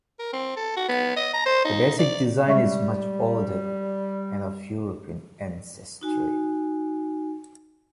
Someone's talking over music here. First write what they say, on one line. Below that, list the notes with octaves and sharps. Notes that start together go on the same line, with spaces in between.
The basic design is much older and of European ancestry.
A#4
C4
A4
F#4
B3
D#5
A#5
C5
D#4
D5
G3 G#3 E5 C#6
D#4 F#4 G#5